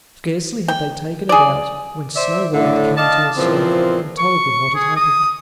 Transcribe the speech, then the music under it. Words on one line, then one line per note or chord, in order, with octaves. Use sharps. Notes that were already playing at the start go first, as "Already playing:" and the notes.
Scarcely had they taken it out when Snow-white came to herself, and told them what had happened.
G5
G#4 D5
C5 D5 E5
A2 D3
D5 D#5 F5 A5
A#2 C#3 E3 F3 C4
C#6
G#4
D#6